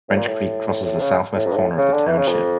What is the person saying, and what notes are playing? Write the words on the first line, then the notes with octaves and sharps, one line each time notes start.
French Creek crosses the southwest corner of the township.
A2
A#2
A2
A2
C#3
A2
F2
G2
A2
C#3
D3
E3
C#3
F2